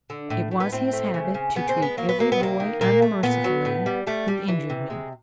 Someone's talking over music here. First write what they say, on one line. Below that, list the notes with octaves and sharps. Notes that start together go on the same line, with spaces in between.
It was his habit to treat every boy unmercifully who injured me.
D3
A2
A2
B3
A2 C4
A3
C#3
C#3
C#3 B3
C4
G#3
B3
F#3 A#3
B3
F#3 A#3
B3
C3 A#3
D#3
A#2 A#3
A3
A#2 B3
F#3
A2
G3
G3 A3
G3
E3
C3
G#3